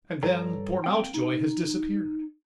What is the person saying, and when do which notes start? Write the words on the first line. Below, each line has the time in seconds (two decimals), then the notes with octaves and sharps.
And then poor Mountjoy has disappeared.
0.23 G2 A4 C#5 D5 A#5
0.84 A#3 C4 G5
1.14 D#4